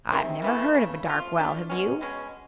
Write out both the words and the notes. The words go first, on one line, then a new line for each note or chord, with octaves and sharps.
"I've never heard of a dark well; have you?"
C3 D#3 G#3 C4
C#3 E3 A3
C#3 E3 A3
F3 A3 D4 F4
F3 A3 D4 F4
B2 G#3 C#4
B2 G#3 C#4